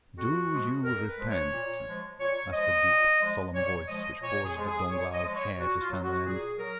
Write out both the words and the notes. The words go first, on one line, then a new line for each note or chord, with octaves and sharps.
"Do you repent?" asked a deep, solemn voice, which caused Danglars' hair to stand on end.
F2 F#4
F3 G#3
F2 A#4
B4
F3 G#3
C#5
A#2
F3 G#3
A#2 C#5
F3 G#3 D#5
A#2
F3 G#3
A#2 C#5
F3 G#3 D#5
A#2 C#5
G#4
F3 G#3
G#4
A#2 C#5
D#5
F3 G#3
C#5
A#2 F#4
F4
F#3
F#4
A#2 G#4
F#3 A#4